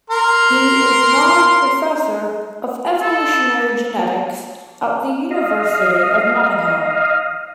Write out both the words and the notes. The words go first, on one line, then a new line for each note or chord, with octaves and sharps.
He is now Professor of evolutionary genetics at the University of Nottingham.
A#4 C6
A4
D#5 F5